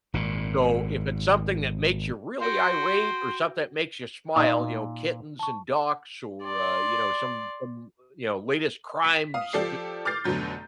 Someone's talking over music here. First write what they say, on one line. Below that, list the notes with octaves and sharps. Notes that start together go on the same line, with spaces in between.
So if it's something that makes you really irate or something that makes you smile, you know, kittens and ducks or, uh, you know, some some, you know, latest crimes,
G#1 A#2
F#4 G5 C6
A#2 D#4 D5 D#5
A5 C#6
D5 C6
B6
F5 D#6
F3 G4 A4 D5 C7
D6 F6 G6 A6 C7
F1 B2 D3 F#3 G6